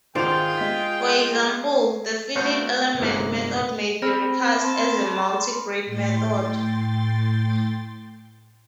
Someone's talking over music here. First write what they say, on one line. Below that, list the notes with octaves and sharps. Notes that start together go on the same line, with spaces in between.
For example, the finite element method may be recast as a multigrid method.
G#1 D#3 F4 G#4 C5 D5 G5 F7
G#3 B6
A3 B3 F#4 C5 F5
G1 C2 G#2 A#3 F#5
C4 B5 F6 A#6
A5 C6
A2 G5 C6 A6